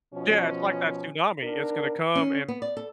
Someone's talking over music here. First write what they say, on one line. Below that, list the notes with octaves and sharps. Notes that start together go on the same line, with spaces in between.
Yeah, it's like that tsunami, it's gonna come, and
B2 F3 C#4
B3 D4 D#4 A#4
C#4
B3
D5
A4